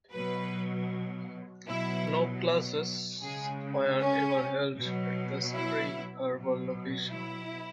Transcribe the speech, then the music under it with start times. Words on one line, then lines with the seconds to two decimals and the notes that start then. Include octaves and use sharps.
No classes were ever held at the Spring Arbor location.
0.11 B2 F#3 B4
1.67 B2 F#3 E4
3.21 C#3 G#3 G#4
3.99 C#4
4.76 B2 F#3
5.54 E4
6.31 B2 F#3
7.10 E4